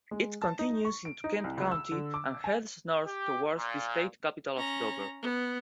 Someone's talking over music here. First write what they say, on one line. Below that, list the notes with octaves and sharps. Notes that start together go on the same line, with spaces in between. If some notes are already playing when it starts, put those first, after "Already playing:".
It continues into Kent County and heads north towards the state capital of Dover.
G#3
A5
D#4
C#6
D7
D#4
C2
C#2
E6
D3
D6
G#5
G4
A#2
C#4 A#5
B3